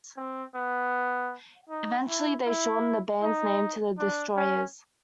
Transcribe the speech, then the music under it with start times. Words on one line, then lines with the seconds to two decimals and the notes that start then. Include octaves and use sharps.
Eventually, they shortened the band's name to The Destroyers.
0.17 C4
0.55 B3
1.69 D#4
2.08 E4
2.46 E4
3.22 D#4
3.98 D4
4.37 C#4